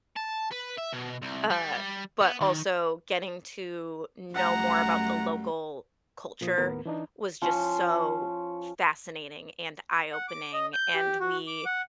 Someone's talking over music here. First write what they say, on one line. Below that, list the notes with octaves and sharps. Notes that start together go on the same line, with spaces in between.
Uh, but also getting to know more about the local culture was just so fascinating and eye-opening. And we,
A5
B4
E5
B2
C2
G3
B3
D#3
F#2 G3 A3 F#5 A#5
A#2 F3 D#6
D#2 A2 B3 A#4
E3 D4 D#4
F3 C#4 C#5 C6
F#5
D6
D#5
G6
G4
F#4
D6
F#5